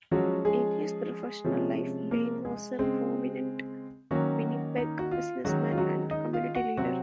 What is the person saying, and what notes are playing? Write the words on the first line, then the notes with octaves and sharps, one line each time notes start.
In his professional life Bain was a prominent Winnipeg businessman and community leader.
F3 F#3 G#3 C#4 F#4
G#3 G#4
C3 F3 G#3 C#4
A#3 A#4
G#3 G#4
C#3 G#3 C4
D#3 F#3 A#3 C#4 F#4
D#4
F#4
F4
D#3 F#3 G#3 C#4 F#4
F4
F#3 F#4
D#4 D#5
F4 F5
F#4 F#5
C3 F#3 C4 F#4 F#5